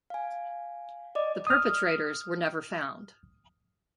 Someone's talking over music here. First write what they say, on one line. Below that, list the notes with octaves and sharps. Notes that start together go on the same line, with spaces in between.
The perpetrators were never found.
F5 G#5
D5 D#5 D6
D#6 F6